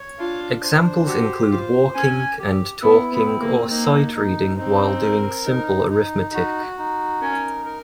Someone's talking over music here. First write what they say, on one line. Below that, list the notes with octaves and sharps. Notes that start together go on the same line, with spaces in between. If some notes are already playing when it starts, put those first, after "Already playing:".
Examples include walking and talking or sight reading while doing simple arithmetic.
Already playing: C#5
D4 F4
C5
F#4 G4
F4 C5
C#4 G#5
G4
B3 E4
B3
C4
A#3
A#3 D#4
D#4
C4 D#4
A#4
D#4
D#4
F#4
D#4
C#4 A#4
A#4